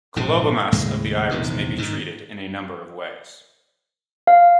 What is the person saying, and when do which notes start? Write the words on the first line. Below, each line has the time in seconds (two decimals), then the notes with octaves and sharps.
Colobomas of the iris may be treated in a number of ways.
0.16 A#1 G#2 C#3
0.72 D#2 A2 C#3 G#3
1.30 A#1 E2 C3 D#3
1.78 G#2 D#3
4.27 F5